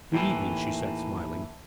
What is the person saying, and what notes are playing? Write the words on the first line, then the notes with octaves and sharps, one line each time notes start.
"Good-evening," she said, smiling.
D#2 A2 D#3 E3